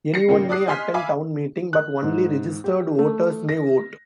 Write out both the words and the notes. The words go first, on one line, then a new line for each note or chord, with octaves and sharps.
Anyone may attend Town Meeting but only registered voters may vote.
A#6 C7 C#7
G#1 C#3 A#3 F4 G5
D5 D6 D#6 F#6 C7
D#5 G#5 C6 F6 B6
E5 F5 G#5 B5 D6
F#6
G#2
G4
A3
A#6